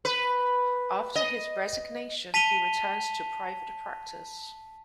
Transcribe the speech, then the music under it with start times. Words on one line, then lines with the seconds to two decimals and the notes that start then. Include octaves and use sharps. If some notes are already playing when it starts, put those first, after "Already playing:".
After his resignation, he returned to private practice.
0.05 B4
1.15 D#5
2.34 A5 B6 D#7 F7 G7